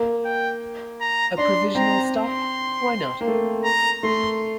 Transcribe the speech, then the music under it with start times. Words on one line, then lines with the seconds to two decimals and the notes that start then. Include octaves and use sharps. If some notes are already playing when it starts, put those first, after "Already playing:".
A provisional stop, why not?
Already playing: A#3
0.25 G5
1.01 A#5
1.38 D4 C6
1.75 C4 A#5
2.13 C6
3.21 A#3
3.28 A3
3.64 A#5
4.03 A3 C6